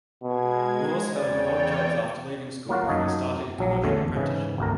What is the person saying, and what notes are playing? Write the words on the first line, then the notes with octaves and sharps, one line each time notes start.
Moers held odd jobs after leaving school before starting a commercial apprenticeship.
B2 G#3 G#6
E2 C#3 C#5 D5 G5
F#3 A#3 F4 F#4
F#2 F#3 D#4 C#5 A5
A#1 F#3
E2 D3 A3 C#4
G#2 C#3 E3
G#1 D2 A#4